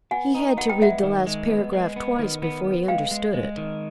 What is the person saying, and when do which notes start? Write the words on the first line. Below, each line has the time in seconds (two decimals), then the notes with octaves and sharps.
He had to read the last paragraph twice before he understood it.
0.11 B3 F#5 G#5
0.35 D#4
0.57 B3 F#5
0.69 G5
0.81 G#3 E5 F#5
1.03 D#3
1.27 G#3
1.50 B3
1.73 G#3
1.96 B3
2.19 D#3
2.42 B3
2.64 B3
2.88 G#3 F5 G5
3.11 G#3
3.34 G#3
3.57 D#3